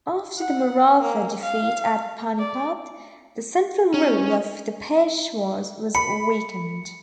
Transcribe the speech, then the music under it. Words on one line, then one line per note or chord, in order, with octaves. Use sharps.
After the Maratha defeat at Panipat, the central rule of the Peshwas was weakened.
F#5
A#3
F5
D5
C#4
B5 C#7